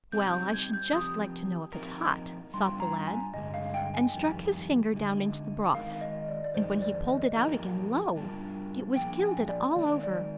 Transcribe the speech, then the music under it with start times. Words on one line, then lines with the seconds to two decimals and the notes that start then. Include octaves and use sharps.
"Well, I should just like to know if it's hot," thought the lad, and struck his finger down into the broth, and when he pulled it out again, lo! it was gilded all over.
0.12 G3 C4 D#4 G4 C5 G6
0.33 G6
0.53 G#6
0.73 G6
0.93 F3 C4 G4 D#6
1.73 F3 C4 D#4 A#4
2.54 G3 D4 F4 C6
2.80 A#5
3.07 G#5
3.33 G2 D3 G#3 D#5
3.54 F5
3.74 G5
3.94 G#5
4.15 F2 D#3 G3
4.94 D3 G#3 D#4
5.75 D#3 G#3 D#4 A#4 F5
6.01 D#5
6.28 D5
6.44 D5
6.55 F2 D#3 G#3 C5
6.82 D5
7.08 D#5
7.35 F3 A#3 D#4 G4 A#4
8.16 G3 D4 F4 A#4
8.96 F3 A#3 D4 G#4 G5
9.22 G#5
9.49 D5
9.76 D#3 G#3 D#4 A#4 D5
10.03 D5